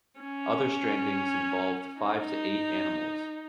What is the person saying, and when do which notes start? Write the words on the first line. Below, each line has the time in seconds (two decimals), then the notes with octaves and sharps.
Other strandings involved five to eight animals.
0.20 C#4
2.00 D#4